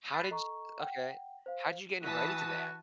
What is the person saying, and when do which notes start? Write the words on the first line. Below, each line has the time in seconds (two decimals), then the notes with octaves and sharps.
How did you okay. How'd you get invited to that?
0.12 B5 F#6 A6 B6 C7
0.30 A4 D#5 A#5 C#6
0.79 F#5 G5
1.46 C5 F5
2.03 E3 F#4 A5 D#6 B6